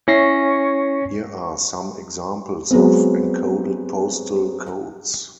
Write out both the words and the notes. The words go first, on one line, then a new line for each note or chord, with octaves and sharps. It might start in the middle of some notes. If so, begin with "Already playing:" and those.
Here are some examples of encoded postal codes.
C#4 E4 C#5 A#6 C7
F#3 G#3 B3 C4